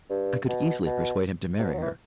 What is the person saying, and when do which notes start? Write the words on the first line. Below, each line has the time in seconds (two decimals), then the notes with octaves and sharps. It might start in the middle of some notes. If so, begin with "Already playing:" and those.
I could easily persuade him to marry her.
0.10 G2
0.48 B2
0.86 B2
1.59 C3
1.64 B2
1.73 F#3
1.78 D#3
1.82 E3